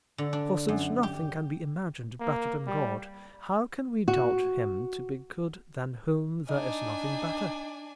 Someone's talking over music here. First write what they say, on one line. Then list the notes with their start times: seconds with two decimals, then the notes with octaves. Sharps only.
For since nothing can be imagined better than God, how can we doubt Him to be good than whom there is nothing better?
0.18 D3
0.33 D4
0.68 F#2
1.03 G4
2.20 A#3
2.67 G3
4.08 F#4
6.49 D4 D#4 G#5